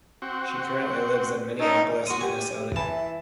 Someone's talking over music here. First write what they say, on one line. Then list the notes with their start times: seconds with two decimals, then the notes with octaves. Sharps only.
She currently lives in Minneapolis, Minnesota.
0.22 C4 F#4
1.60 C#4 D#4 A4
2.07 F#4 C6 D#6
2.21 G4 G#5
2.76 E3 E5 A5